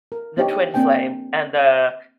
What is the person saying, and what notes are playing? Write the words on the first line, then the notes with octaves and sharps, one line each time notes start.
the twin flame, and the
A#4
B3 D4 D#4 G4 C#5
A#3 C4 D4 C5 G5 G#5